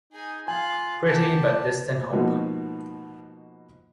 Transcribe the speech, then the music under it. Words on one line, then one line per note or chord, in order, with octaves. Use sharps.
Pretty but distant hope.
D#4 G#4 G#5
F4 F5 G#5 F#6
B3 G4 A5
G#2 B2 F3 A#3 D#4 F#4